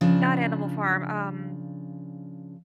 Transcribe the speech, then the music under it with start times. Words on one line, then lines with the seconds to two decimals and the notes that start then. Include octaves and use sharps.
not Animal Farm, um
0.01 C#3 F3 D4